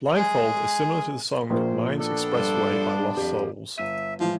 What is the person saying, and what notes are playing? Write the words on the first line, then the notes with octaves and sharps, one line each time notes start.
"Blindfold" is similar to the song "Mind's Expressway" by Lost Souls.
G#3 G#4
A#1 A#2 G#4 A#4 C5
B3 D4 A4
G2 C5 D5
F2 G4
G1 E5 D#7
A2 E3 F3 G#3